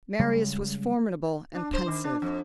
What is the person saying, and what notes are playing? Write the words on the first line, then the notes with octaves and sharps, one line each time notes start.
Marius was formidable and pensive.
C#3 G3 G#3
D4
C5
D#3
D4
F2